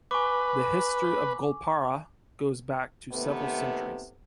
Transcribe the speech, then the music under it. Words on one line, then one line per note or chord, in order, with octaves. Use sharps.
The history of Goalpara goes back to several centuries.
B4 G#5 C#6 D6
D#2 C3 A3 B3